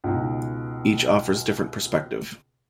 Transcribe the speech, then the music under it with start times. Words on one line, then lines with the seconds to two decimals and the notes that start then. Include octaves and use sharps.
Each offers different perspective.
0.04 C#2 B2 D#4